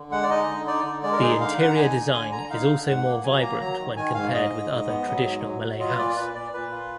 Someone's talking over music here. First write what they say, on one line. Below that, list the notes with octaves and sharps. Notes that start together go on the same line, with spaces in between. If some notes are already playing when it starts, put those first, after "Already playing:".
The interior design is also more vibrant when compared with other traditional Malay house.
Already playing: D3
G#3 F#5
D5
D#4 D#5
D3
D#4 D5
D3
G#3 D5
A#4
D#4 G#4
D3 F5
D3 F#5
A#5
D#4 G#5
D3
D3 G#5
D3 A#5
D#4 F5
D3
G#2 F#5
A#3
F#3 G#5
A#3 A#5
F#3 A#5
D#3
D#3 G#5
G#2 F5
G#2 D#5
G#2
G#2
B3
F#3
G#2
F#3
F#3
F4 D#5
B4
A#2 D5
D5
A#2 B4
A#2 D5
A#2 B4
F4